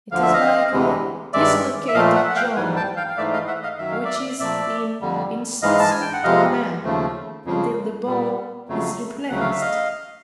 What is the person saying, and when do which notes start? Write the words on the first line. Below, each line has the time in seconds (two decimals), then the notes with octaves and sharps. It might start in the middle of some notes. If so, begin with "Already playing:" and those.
It is like a dislocated joint, which is in incessant torment, until the bone is replaced.
0.12 D2 D3 F3 F5
0.22 E5
0.33 D#5 F5
0.72 D2 C3 E3 G#3
1.33 G2 D#3 G#3 D5 E5
1.88 E5
1.94 A#2 F3 A3 D#5 F5
2.15 E5 F#5
2.29 F#5
2.36 F5 G5
2.56 G#2 E3 G3 F#5 G#5
2.76 G5 A5
2.96 F5 G5
3.08 F5
3.17 G#2 E3 A3 D5 E5
3.33 D#5 F5
3.47 E5 F#5
3.63 D#5 F5
3.78 F#2 D#3 F#3 E5
3.92 F5
4.05 D5 E5
4.39 A#2 F3 A3 D5 E5
5.01 F2 D3 G3
5.62 G#2 E3 G#3 D#5 F5
5.79 A5
5.91 G#5
6.01 G5
6.13 F#5
6.23 F2 C3 F3 G#3 D#5 F5
6.84 D#2 C#3 F3 A3
7.45 F2 C#3 F3
8.07 A#2 G3
8.69 F2 C#3 F#3 A3
9.29 D2 C#3 F#3 A3 F#5
9.40 F5
9.51 E5
9.61 D#5 F5